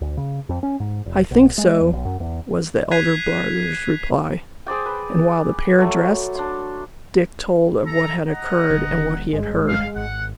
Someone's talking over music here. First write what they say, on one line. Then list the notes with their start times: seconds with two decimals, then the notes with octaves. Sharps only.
"I think so," was the elder brother's reply, and while the pair dressed, Dick told of what had occurred and what he had heard.
0.01 D2
0.17 C#3
0.49 F2
0.63 C#4
0.80 G#2
1.06 F1
1.31 B1
1.58 G#3
1.81 E2
1.93 B1
2.05 F#2
2.20 E2
2.91 F#6 G#6 B6 C7 D#7 F7
4.67 G#4 C5 D5 G5
4.86 B4
5.78 F#3 A3
6.35 D4 C6
7.86 A4 A#5
8.26 D#5 F#5 A#5
8.70 D#1 D3
9.33 G#1 G2 G#3
9.66 F5
9.96 G#1 F#5